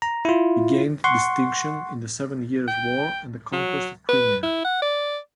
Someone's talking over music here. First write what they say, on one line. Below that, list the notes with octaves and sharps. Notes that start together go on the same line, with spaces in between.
He gained distinction in the Seven Years' War and the conquest of Crimea.
A#5
E4 F4
F#5 C6 C#6
G5
F#3
B4
E4
F#5
D5